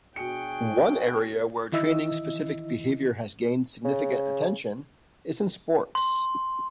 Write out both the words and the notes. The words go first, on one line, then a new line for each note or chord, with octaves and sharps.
One area where training specific behavior has gained significant attention is in sports.
B2 D4 F#4 G#4 G5 C#7
D#3 E3 E4 D#5 E6
C#3
C6